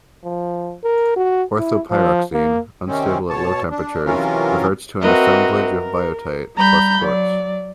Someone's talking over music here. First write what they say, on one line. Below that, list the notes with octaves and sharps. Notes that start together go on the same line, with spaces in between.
Orthopyroxene, unstable at low temperatures, reverts to an assemblage of biotite plus quartz.
F3
A#4
F#4
E4
F3
A#3
C3 D#3 C4 C#4
B2 C#5 A5
D4
C3 E3 F#3 C#4 F4 A#4
C4 F#4 A#4 B4 D#5 E5
A#4
G3 A#5 B5 G6
F#3 D5